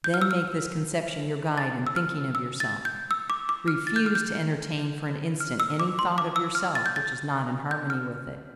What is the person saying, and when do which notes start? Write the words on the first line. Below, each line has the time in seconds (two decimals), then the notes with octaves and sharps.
Then make this conception your guide in thinking of yourself; refuse to entertain for an instant any thought of yourself which is not in harmony with it.
0.04 G6
0.14 F6
0.22 E6
0.31 F6
1.58 A6
1.87 E6
1.96 F6
2.35 E6
2.60 A6
2.85 G6
3.11 E6
3.30 D6
3.49 D6
3.68 F6
3.87 A6
3.96 G6
4.06 F6
4.15 G6
5.40 F6
5.60 E6
5.80 D6
5.99 C6
6.18 D6
6.36 E6
6.55 F6
6.75 A6
6.86 G6
6.96 A6
7.71 G6
7.90 F6